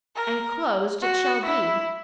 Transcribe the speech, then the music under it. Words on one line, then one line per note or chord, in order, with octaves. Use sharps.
And closed it shall be.
A#4
F#4
E4